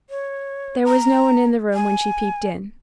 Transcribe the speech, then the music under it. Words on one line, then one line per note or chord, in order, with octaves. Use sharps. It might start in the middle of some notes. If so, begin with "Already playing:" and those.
There was no one in the room when she peeped in.
C#5
A#5
G#5